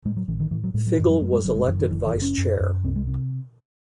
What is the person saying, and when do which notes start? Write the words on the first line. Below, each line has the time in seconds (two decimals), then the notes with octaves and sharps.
Figl was elected vice chair.
0.05 A2 G#3
0.17 F#3
0.28 A1 E3
0.40 D#3
0.51 A2 E3
0.64 F#3
0.74 A2 G#3
0.87 F#3
0.98 F#2 E3
1.10 F#3
1.21 F#2 A3
1.32 G#3
1.44 F#1 F#3
1.56 G#3
1.68 F#2 E3
1.80 D#3
1.91 F#1 E3
2.07 E3
2.14 F#1
2.22 C#4
2.38 F#2
2.60 F#2
2.84 C2 C4
2.96 G#3
3.07 C3